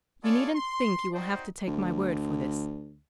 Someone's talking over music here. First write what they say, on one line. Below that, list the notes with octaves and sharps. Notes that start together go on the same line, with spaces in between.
You needn't think you will have to take my word for this.
E4 F4 G#4 A4 C#5 D5
C6
C4 D#4 F#4 C5 D5 G5
D2